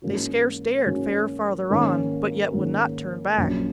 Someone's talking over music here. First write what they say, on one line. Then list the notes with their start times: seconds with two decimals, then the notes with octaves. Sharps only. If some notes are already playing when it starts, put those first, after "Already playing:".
They scarce dared fare farther on, but yet would not turn back.
0.02 G#2 E3 A#3 C#4 F#4
0.86 G#2 E3 A#3 C#4 F#4
1.70 G#2 D#3 A#3 C#4
2.54 G#2 D#3 A#3 C#4
3.38 A#1 A#2 F#3 C#4